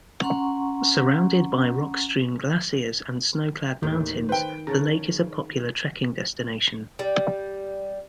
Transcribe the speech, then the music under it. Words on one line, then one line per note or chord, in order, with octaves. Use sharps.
Surrounded by rock-strewn glaciers and snow-clad mountains, the lake is a popular trekking destination.
C#4 F#5 A#5 C6 C#6
D#2 A2 D#3
B4 C5 G5
C#3 C#5 A5 A#5
G3